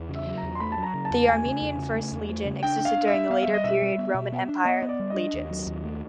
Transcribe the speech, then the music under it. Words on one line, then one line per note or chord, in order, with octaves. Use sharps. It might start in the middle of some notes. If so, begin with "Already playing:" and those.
The Armenian First Legion existed during the later period Roman empire legions.
Already playing: E2
C#3
E5
F#3
A#5
E2
C6
A3 B5
A5
F#3
A#5
C#3
A5
E2
A3 G#5
C#3
E2
C#3
A3
E2
A3
C#3
D4 G5
D4
F5
D4
E5
D4
B3 F5
E5
G3
D#5
B2 E5
G3
B3
B2
B3
D4
B3 D#5
B3
D5
G3
D#5
D4
D#2
F#3
D#2
A3